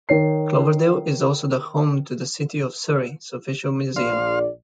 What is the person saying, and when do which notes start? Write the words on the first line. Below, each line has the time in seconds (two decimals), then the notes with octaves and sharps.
Cloverdale is also the home to the City of Surrey's official Museum.
0.09 D#3 C#5 C7
3.96 A#1 D5 F5 C6